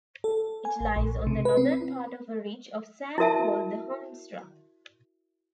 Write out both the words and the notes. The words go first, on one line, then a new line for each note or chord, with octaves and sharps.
It lies on the northern part of a ridge of sand called the Hondsrug.
A4
G#5
A1
A#1
C3
B4
C4
E4 F#4 A#4 E5 A5